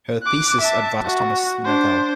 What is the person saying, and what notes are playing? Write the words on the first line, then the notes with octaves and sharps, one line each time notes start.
Her thesis advisor was Thomas Nagel.
D6 F#6
E5 A5
F#4
D4 C5